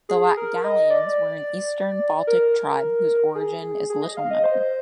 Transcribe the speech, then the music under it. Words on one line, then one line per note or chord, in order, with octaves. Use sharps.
The Latgalians were an Eastern Baltic tribe whose origin is little known.
G#4
A#4
D#5
D5
A#4
G#4
G#4
D#5
F5
D#5
C5